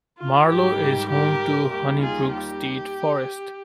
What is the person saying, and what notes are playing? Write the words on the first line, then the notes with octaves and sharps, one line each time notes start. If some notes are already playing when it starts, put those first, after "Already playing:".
Marlow is home to Honey Brook State Forest.
F4
G#2 D#3 G3 G4
G4 A#4
D#2 D#3 G3 G4
F4 G#4
G4